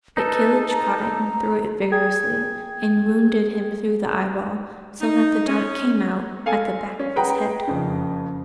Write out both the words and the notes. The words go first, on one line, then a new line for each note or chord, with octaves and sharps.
But Kilhuch caught it and threw it vigorously, and wounded him through the eyeball, so that the dart came out at the back of his head.
D#4 A4 B4
G#4
A#5
A#5
G#4 G5 G#6
D#4
C#4
A4 F5 G#5 A5
C#4
G#4 B4 F#5 G5 A#5
F#1 F2 C#3